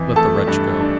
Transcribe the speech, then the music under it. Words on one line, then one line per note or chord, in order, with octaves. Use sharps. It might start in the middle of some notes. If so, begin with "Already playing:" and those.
Let the wretch go.
Already playing: F2 E3
A3 A4 A5
G2
D4